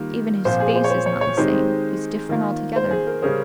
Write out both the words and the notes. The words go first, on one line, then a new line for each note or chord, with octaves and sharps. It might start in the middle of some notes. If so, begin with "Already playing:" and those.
Even his face is not the same; he's different altogether.
Already playing: D#3 G3 A#3 F4
A#2 F3 C4 F4 C5
G#4
C5
C#5
C5
C#5
C#5
D#3 G#3 C4 D#4 G4 C5
D#3 A#3 F4
C5
G#4
A#4
C#3 G3 C#4 G#4 A#4 C5